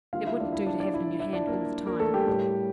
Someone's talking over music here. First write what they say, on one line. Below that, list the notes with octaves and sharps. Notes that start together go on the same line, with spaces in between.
It wouldn't do to have it in your hand all the time.
D3 G3 A#3 F4 F5
E4 E5
D4 D5
E4 E5
D4 D5
D4 D5
E4 E5
E4 E5
D4 D5
A#3 A#4
A#3 A#4
A3 A4
G3 G4
A2 G3 A#3